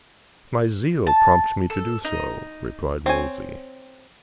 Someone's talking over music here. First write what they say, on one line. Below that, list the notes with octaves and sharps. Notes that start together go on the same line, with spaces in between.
"My zeal prompts me to do so," replied Wolsey.
A5
A4
D#4
C4 C#5 G#5